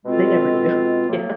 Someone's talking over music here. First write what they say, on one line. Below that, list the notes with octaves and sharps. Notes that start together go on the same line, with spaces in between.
They never do, yeah.
B2 G#3 C4 F4 A4
A2 F#3 A#3